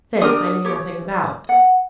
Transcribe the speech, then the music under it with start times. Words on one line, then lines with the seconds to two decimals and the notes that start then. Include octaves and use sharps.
This I knew nothing about.
0.22 D4 G4 A#4 D#6
0.65 G4 C#5
1.49 F#5